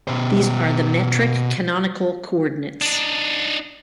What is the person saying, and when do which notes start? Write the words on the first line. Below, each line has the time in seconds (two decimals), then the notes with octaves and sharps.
These are the metric canonical coordinates.
0.08 B2 C5
2.81 D4 D#4